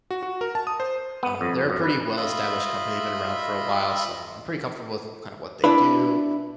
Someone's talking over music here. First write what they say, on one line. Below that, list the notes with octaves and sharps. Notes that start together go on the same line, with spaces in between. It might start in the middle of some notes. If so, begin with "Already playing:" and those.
Um, they're a pretty well established company, they've been around for a while, so, I'm pretty comfortable with kinda what they do,
F#4
F#4
A#4
A5
D#6
C5
B3
F2
F#2
B4
F4 D#5 E5 B5
D4 E4 B4